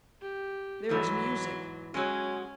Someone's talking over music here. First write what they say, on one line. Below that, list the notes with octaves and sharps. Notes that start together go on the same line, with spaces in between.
There is music.
G4
E2 G#2 E3 F#3
F#3 G#3 C#4